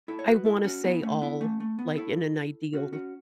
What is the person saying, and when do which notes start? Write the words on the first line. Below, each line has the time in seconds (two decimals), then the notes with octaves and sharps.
I wanna say all, like, in an ideal,
0.08 E4 A4
0.19 C#5
0.27 F#4 B4
0.46 E4 A4
0.65 C#4 F#4
0.84 B3 E4
1.03 A3 C#4
1.22 B3 E4
1.41 A3 C#4
1.60 A3
1.79 B3
1.97 E4 A4
2.74 C#4 F#4
2.93 C#4 F#4